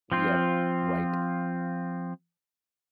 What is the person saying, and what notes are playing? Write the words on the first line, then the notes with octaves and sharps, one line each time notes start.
Yep, right!
F3 C4 F4